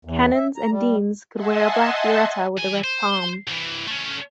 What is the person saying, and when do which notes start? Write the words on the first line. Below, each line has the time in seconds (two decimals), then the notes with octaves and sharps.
Canons and deans could wear a black biretta with a red pom.
0.05 E2
0.34 E5
0.56 A#5
0.71 G3
1.34 D#5 E5 F#5 G#5 A5 C6
2.57 E3 G#5
2.84 C5
3.48 C2 E3
3.88 A3 C#4